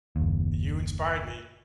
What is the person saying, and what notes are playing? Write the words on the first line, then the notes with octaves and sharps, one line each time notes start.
You inspired me.
F#1 D#2